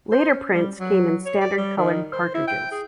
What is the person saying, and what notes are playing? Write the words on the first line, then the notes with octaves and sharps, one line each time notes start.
Later prints came in standard-colored cartridges.
C5
C#4
G3
F#3
C#5
D5
G3
D#3
C5
E4
G5
G#4